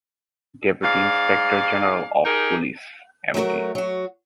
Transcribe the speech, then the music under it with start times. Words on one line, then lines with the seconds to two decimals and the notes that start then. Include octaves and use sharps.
Deputy Inspector General of Police Md.
0.83 G#2 D5 F5
2.25 D#4 G4 G#4 A#4
3.34 F#3 A3 B3 F#4 A#4
3.75 F#3 F#4